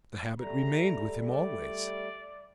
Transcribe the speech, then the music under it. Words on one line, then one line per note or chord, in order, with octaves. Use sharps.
The habit remained with him always.
G3 A3 A#5
D5